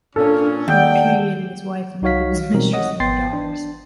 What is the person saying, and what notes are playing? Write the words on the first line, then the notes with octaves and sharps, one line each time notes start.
He repudiated his wife and lived with his mistress and their daughters.
A#2 C#4 D4 A4
D#2 D5 F#5 G5
C2 D#4 F#4 C#5 F5 B6
B2 E3 G3 C4 D#4 A#4
C#5 D#5 F#5
G#1 B3 G5 C6 A6 C7
D4